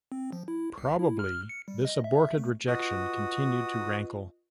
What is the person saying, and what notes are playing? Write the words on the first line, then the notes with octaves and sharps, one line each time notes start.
Probably this aborted rejection continued to rankle.
C4
F3
E4
C2
E4
F6
C#7
G3
D#5
E5
A3
F4 F#4 B4 D#5 D#6